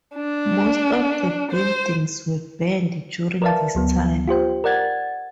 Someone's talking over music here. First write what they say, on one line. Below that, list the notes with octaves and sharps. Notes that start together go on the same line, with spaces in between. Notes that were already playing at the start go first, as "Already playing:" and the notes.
Most of the buildings were burned during this time.
D4
C5
A#4 B4 D5 E5 F5 A5
D2 F#3 B3
F4 G4 C5 G5
A#4 D5 F#5 G#6 A6